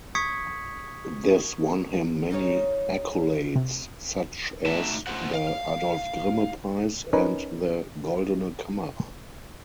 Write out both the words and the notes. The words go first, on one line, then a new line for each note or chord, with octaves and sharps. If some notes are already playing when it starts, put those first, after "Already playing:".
This won him many accolades, such as the Adolf-Grimme-Preis and the Goldene Kamera.
C#6 D#6 G#6 B6 C#7
C#3 D#4 F#4 C#5
C3
A3 D#4 F#4 E5 A5
A3 C#4 F4 C5 F#5
F5
C#4 D#4 A#4 B4